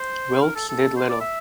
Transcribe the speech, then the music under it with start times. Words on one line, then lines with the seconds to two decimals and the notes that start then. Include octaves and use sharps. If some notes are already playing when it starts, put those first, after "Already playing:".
Wilkes did little.
Already playing: C5
0.42 A#4
0.56 A4
0.69 A4
0.96 C5
1.09 D5
1.21 E5